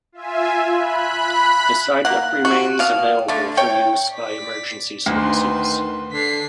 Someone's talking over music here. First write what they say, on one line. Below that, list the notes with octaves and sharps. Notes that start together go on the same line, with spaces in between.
The site remains available for use by emergency services.
F4 E5 G#5
B5 F#6
A#3 F#5
F#4
B2 F5
D3 A3
C#5 G5
D5 B6
D2 D#3 B4 C6
D3 B6 C7